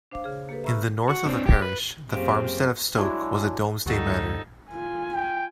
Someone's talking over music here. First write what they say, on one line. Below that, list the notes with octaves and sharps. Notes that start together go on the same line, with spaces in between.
In the north of the parish, the farmstead of Stoke was a Domesday manor.
D4 C5 F5 D6
C#3 G#4
A#3 G4 A4 B4
E5 A#5 B5 C#6 E6 F6
F#4
C4 D4
G4
B4
F#2 C#3 A#3 C4 F4 G4
F#3 G#3 D4 E4
D2 G#2 F3 G3 D#4 F#4 A4
F4 G#5
G5